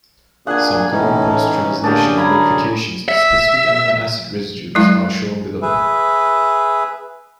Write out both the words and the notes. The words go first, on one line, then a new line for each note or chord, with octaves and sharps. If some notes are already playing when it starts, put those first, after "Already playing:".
Some common post-translational modifications to specific amino-acid residues are shown below.
A#2 D4 G#4 F#5 G#5
A2 E3 C#4 D#4
D3 A#3 C#4 D4 G4 G#4
F#2 G#5 A#5 B5
E5
F#3 G#3 E4
G#4 B4 E5